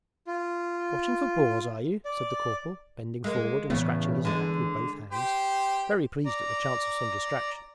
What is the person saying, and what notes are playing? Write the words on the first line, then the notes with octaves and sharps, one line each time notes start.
'Watching for boars, are you?' said the corporal, bending forward and scratching his back with both hands, very pleased at the chance of some distraction.
F4
D5
G#3 A#3
A2 C#3 E3 B3
D3 G#3
G4 C5
D5 A#5